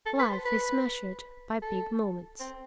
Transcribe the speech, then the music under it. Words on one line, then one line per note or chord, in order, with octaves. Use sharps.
Life is measured by big moments.
A4
B4
C5
B4
A4
C4